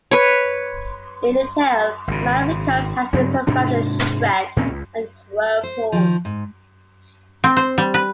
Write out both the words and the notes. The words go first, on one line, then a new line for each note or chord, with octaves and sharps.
In the tale, a man recounts how he survived a shipwreck and a whirlpool.
B4 C#5
G#1 C#3
G2 C#3 F#3 C4
G#2 C3 D4
E2 A#2 C4 C#4
C#2
C5
D#3 F3
G#2
C4
C5
G3
B4